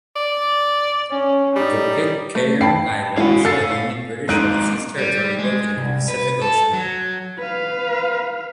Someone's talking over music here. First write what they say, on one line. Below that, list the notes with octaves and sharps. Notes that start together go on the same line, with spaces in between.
The Pitcairn Islands are the only British Overseas Territory located in the Pacific Ocean.
D5
C#4
G3 D#4
A3
G5 A5 B5 C7
G#3 E4 F#4 F5 G#5
A4 E6 A6 C7
G#3 A#3 D#4 F#6 D7 D#7
G3
G#3
C2
B4
A4
F#3
B4 F5